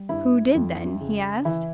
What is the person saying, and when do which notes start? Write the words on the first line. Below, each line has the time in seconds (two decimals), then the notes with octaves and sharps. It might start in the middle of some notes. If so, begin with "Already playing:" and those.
"Who did, then?" he asked.
Already playing: G3
0.09 G2 E4
0.55 F2
1.00 C#3
1.45 E3 E4